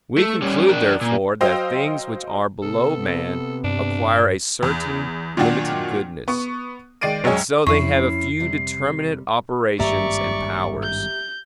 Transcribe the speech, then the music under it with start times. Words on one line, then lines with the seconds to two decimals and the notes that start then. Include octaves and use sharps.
We conclude, therefore, that things which are below man acquire a certain limited goodness; and so they have a few determinate operations and powers.
0.18 A3
0.42 G3 C#4
0.68 D4 A#4
1.01 A#2
1.41 F#3 C5 D#5 F5 G5 E6
2.62 C3 B3 A4
3.64 G2 D4
4.63 E2
5.37 A#2 D#3 F#3 D4 F4 F#4
6.28 B3 C#6
7.01 D#3 G#3 D5 C7 D7 D#7
7.24 A#1 F#2 G#3 G#4 C#5
7.67 F2 F3 C#4 E4 C#6 C7
8.40 C3 G3
9.79 G#1 G2 A#3 G4 D5 E5 A#5 C#6
10.83 G6